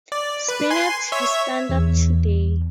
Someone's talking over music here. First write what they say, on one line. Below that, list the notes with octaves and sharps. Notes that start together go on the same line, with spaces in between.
"Spinet" is standard today.
D5
B4
G#5 C6
C#5 E5
E2